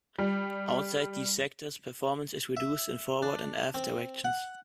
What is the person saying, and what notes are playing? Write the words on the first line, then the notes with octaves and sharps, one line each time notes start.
Outside these sectors, performance is reduced in forward and aft directions.
G3
E5
D4
C4
F#5